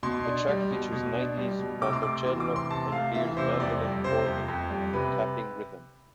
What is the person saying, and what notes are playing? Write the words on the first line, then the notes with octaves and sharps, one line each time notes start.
The track features Knightley's mandocello and Beer's mandolin forming a "foot tapping" rhythm.
B2 C6
D4
G3
B2
B2
D4
G3
B2
C3 D6
C6
A3 D6
E3 C6
D6
C3
C6
C3 A5
A3 F5
E3 E5
C3 C5
F2 D5
G3
C3 C5
F2
F2
G3
C3 B4